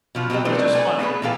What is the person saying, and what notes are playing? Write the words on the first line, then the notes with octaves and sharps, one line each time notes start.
But it's just funny.
B2 F3 F4
B2 F#3 C4 G4 D#5
F#3 A3 C4 D4
A3 B4 G#5
A3 B3 G#4 B4
A#2 E3 B3 G4 A4 F5